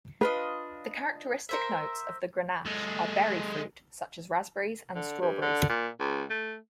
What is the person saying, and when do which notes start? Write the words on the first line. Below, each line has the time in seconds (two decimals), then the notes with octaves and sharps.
The characteristic notes of Grenache are berry fruit such as raspberries and strawberries.
0.21 D4 F4 B4 D#5
1.49 A#4 C5 E5
2.66 G#3 A4
4.95 D3
5.22 G2
5.42 D3
5.69 A#2
6.00 C#2
6.30 A3